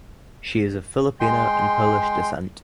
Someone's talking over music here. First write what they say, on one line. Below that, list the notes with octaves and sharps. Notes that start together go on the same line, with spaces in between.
She is of Filipino and Polish descent.
G#3 G5 C6